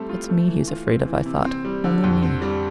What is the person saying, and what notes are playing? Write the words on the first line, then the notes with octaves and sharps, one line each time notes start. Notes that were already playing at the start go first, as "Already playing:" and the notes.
It's me he's afraid of, I thought, only me.
Already playing: G3 A3 C4 A4
F4
A3
E3
F4
C4
E3
C3
C4
G3
D3
F2
C4
G3